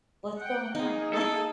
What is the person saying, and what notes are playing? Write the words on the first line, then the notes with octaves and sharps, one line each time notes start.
"What's going on?" Like
F#5 G5
A#3 D#4 G#4
A4